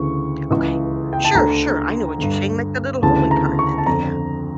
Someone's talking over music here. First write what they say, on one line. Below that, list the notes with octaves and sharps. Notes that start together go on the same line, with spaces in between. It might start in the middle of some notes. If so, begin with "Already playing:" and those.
Okay, sure, sure, I know what you're saying, like, the little holy card that they have.
Already playing: D2 C#3 E3 C#6
C#2 C#3 E3
G5
A5
D2 D3 A#5
G2 D3
D2 C#3 E3 A5
A#5
C#6
A5
F2 D3 A#5